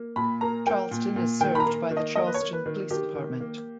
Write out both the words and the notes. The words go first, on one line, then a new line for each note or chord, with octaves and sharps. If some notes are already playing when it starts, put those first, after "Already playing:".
Charleston is served by the Charlestown Police Department.
Already playing: A#3
A#2 B5
A#3 A#5
A#3 G5
A#2
A#2
D#3 G5
B5
A#5
A#3
D#3
D#5
A#3 D#5
B4
C#5
A#3
B4
D#3
D#3 G4
D#3
A#3